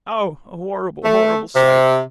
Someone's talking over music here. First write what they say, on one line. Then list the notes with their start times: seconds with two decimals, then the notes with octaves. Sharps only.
O! a horrible, horrible sight!'
1.05 A3
1.56 C3